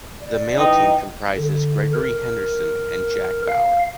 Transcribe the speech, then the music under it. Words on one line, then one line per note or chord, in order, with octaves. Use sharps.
The male team comprises Gregory Henderson and Jack Bauer.
D5
E3 D#4 D#5 G5
D3
A#4
F5